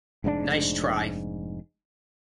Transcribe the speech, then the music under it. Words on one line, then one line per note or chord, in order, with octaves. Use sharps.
Nice try!
F1 G#2 C#4 D4